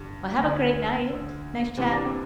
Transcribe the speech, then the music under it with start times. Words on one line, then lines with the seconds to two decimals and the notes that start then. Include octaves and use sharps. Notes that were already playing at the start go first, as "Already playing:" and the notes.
Well, have a great night. Nice chat.
Already playing: G2 D3
0.40 D2 D3
1.09 D2 D3
1.77 C2 C3 E3 C4
1.92 D4
2.05 C4